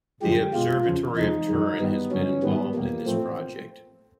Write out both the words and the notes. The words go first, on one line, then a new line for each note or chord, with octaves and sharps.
The Observatory of Turin has been also involved in this project.
F#2 D3 F3 G#3 G4
B2 G#3 F4
E2 C#3 F3
E2 C3 F3 G#3 D#4
F#2 D#3 G#3
G2 D#3 G3 B3
G2 D3 F#3 C#4
G#2 D#3 G3 B3
E2 B2 G3 A#3
A2 F3 A3 C4